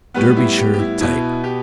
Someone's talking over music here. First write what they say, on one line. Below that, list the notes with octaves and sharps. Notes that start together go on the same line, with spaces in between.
Derbyshire type.
A2 G3 B3 B4
E4
G4
G4
E4
B2 B3 E4
G4